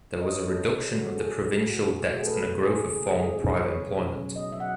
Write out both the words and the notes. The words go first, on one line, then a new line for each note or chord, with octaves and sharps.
There was a reduction of the provincial debt and a growth of formal private employment.
D#5
C#5
B4
B3 A4
G#3 F#4
C#3 G#4
C#3 F#4
B3 A4
G#4
G#3
E4 G#4
A3 G#4
F#4
B2
B2 G#4
E4 F#4
G#4
A3 A4 B4
B3 A4
G#3
G#4
E4
C#3 G#4
B3
G#4
G#3
C#4 G#4
F#3 B4
C#5
E4
B2
C#4
F#3
B3 D#5
F#3 E5
F#5